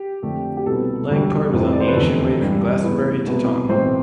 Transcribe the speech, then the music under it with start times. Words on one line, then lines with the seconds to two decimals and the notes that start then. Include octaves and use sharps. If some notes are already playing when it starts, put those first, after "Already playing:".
Langport is on the ancient way from Glastonbury to Taunton.
Already playing: G4
0.23 F2 D3 A3 D4
0.57 G4
0.66 C2 B2 B3 A4
1.09 E1 D2 D3 G3
1.53 F1 F2 C3 E3
1.73 D5
1.81 C5
1.88 B4
1.96 F1 E2 D3 A3 A4
2.39 G2 E3 G3 D4
2.83 A2 E3 A3 B3 B4
3.26 C2 B2 B3 E4
3.69 B1 A2 E3 C4 C5